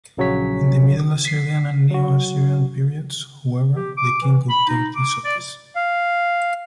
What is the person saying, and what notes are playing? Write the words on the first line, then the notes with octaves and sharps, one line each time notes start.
In the Middle Assyrian and Neo-Assyrian periods, however, the king could take this office.
A#1 C#3 F#3 C#4 C#5 B6
B6 C7
F#3 F#4
G4
D6
E3
B5
D#4
D6
D5
F5